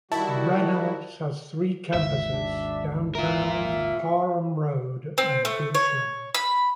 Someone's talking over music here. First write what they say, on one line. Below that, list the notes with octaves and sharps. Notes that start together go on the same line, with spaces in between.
Reynolds has three campuses: Downtown, Parham Road, and Goochland.
D#3 G3 E4 F#4 A5
G#1 D#2 G#2 E5
D4
F4 A#4 E5
C4
A3
C#5
B5